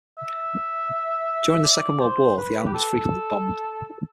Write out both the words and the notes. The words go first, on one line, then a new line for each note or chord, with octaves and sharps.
During the Second World War the island was frequently bombed.
E5
D5
C5
B4
G4
A4